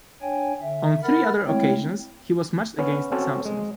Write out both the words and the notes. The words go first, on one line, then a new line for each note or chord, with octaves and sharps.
On three other occasions he was matched against Sampson.
D4 C#5 G5 G#5
D3 E5
A#4 F#5 B5 F6 A6
G#3 A3 C4 E4 C#5 G5
B3 C#4
C4 C#4 F#4 A4
G#3